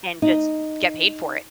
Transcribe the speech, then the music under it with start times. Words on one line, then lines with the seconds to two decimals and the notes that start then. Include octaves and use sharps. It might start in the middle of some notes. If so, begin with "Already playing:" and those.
And just get paid for it.
0.22 D#4